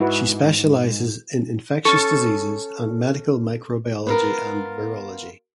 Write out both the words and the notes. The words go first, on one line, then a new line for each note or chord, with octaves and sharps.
She specialises in infectious diseases and medical microbiology and virology.
G#2 E4 F#4 B4
C#4 A4 C#6 A6
B3 F4 A#4